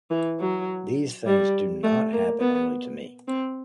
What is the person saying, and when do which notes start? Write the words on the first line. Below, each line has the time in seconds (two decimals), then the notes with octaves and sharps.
These things do not happen only to me.
0.11 E3
0.40 F#3
1.27 G3
1.83 A3
2.13 A#3
2.40 B3
3.28 C4